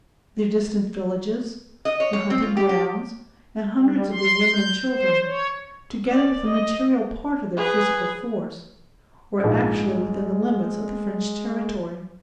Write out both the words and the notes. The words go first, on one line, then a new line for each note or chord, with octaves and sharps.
Their distant villages, their hunting-grounds and hundreds of their women and children, together with a material part of their physical force, were actually within the limits of the French territory.
D#5
C#5
C#5
C4
F4
G4
G4
G3
C6
G6
C5
C#5
D5
D#5
G#4 B4
A#1 G#2 G#3